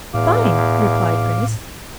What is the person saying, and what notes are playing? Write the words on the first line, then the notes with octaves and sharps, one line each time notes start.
"Fine," replied Grace.
E2 A2 F5 D6